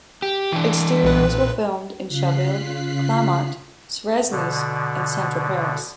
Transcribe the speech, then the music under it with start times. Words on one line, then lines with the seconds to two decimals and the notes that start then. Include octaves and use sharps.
Exteriors were filmed in Chaville, Clamart, Suresnes, and central Paris.
0.22 G4
0.52 E3 D4
1.03 B1 A#2 B4
2.09 C#3 F4 F#6 B6 C7
4.31 B2 D3